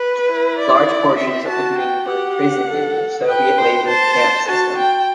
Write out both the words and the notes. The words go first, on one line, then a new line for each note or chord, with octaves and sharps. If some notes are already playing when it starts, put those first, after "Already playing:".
Large portions of the community were imprisoned in the Soviet labor camp system.
Already playing: B4
E4
D5
C4 E5
F#4 A5
G5
G4 F#5
A4
B4 G5
C5
C5 A5
F#4 A5
G5